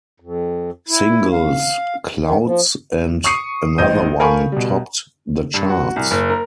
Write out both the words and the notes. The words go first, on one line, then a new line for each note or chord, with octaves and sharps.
Singles "Clouds," and "Another One," topped the charts.
F2
E4
F5
D#3
F3
C#6 D#6 C7 C#7 D#7
A1 C5 D#5 G6 D#7
A4 A#4 F5 G#5 B5 C#6
B2 G3
G2
F#4
C2
F#1
A#4